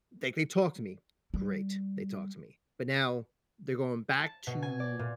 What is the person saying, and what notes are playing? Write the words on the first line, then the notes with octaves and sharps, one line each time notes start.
like they talk to me. Great, they talk to me. But now, they're going back to
G3
A5
B2
G#5
D5
A#2